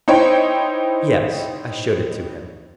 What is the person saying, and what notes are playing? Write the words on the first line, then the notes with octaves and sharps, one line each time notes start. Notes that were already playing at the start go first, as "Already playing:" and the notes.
"Yes; I showed it to him."
D#4 E4 C5 C#5 G5